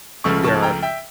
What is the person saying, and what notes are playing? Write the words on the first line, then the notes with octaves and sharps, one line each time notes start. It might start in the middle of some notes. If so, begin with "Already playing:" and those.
there are
C#2 C#3 F3 A3 C#6 E6
A5 C#6
G5 A#5
E5 G5